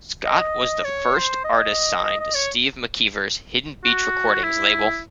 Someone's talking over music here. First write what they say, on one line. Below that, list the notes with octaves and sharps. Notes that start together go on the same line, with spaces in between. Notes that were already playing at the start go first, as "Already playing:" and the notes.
Scott was the first artist signed to Steve McKeever's 'Hidden Beach Recordings' label.
D#5
C#5
C5
D#5
D#5
D#5
C#5
F#4
E4